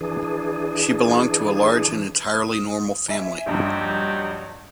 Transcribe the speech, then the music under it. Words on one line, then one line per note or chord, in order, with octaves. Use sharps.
She belonged to a large and entirely normal family.
E3 D4 G#4
D#6
E5 G#5
A#1 G2 F#3 D#4 G4